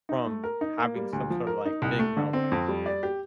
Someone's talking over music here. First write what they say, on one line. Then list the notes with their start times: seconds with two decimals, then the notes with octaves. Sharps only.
from having some sort of, like, big meltdown.
0.09 D#4
0.26 A3
0.44 A#4
0.61 D#4
0.78 A#3
0.95 G3
1.13 D2
1.30 F3
1.47 A#4
1.65 D#4
1.82 C2
1.99 A3
2.17 D3
2.33 C4
2.52 F2
2.68 G3
2.86 D5
3.03 G4